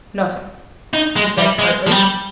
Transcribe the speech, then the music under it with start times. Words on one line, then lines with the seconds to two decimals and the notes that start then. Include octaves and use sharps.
"Nothing," he said curtly.
0.94 D#4
1.16 G#3
1.38 G3
1.59 G#3
1.87 F3
1.92 G3